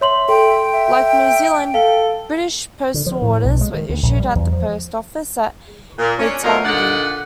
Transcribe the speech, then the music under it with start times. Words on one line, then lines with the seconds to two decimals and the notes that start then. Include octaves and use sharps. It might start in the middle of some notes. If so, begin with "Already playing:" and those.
Like New Zealand, British postal orders were issued at the post office at Waitangi.
0.01 C#5 E5 C6 F#7
0.29 A4 G5 C6
0.74 E5
1.74 A4 F5
2.94 D3
3.06 F3
3.22 A2
3.45 B1
3.61 G#3
3.74 D#3
3.89 D2
4.03 A#1
4.20 G3
4.35 E2
4.52 F3
5.99 A#2
6.19 C#4 D4
6.43 F2 B2 F#3 D#4 F4 A#4
6.65 A#2 D3 D#3 D5 F#5